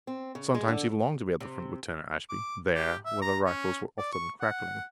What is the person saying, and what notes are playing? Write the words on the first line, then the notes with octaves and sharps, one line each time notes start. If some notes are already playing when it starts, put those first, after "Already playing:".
Sometimes he longed to be at the front with Turner Ashby, there where the rifles were often crackling.
C4
C#3
G#3
D3
C3
D6
G4
E5
A#5
C#4
D5
C#6
F#5